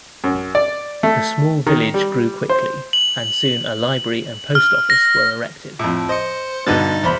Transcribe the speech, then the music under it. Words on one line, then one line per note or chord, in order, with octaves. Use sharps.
The small village grew quickly, and soon a library and post office were erected.
F#2
D5
A3
D#3
G3
C5
F#7
F6
A#6
F2 A2
C5 D#5 C#7
G2 B2 D3 D#4 B4 A6
E2 C5 B5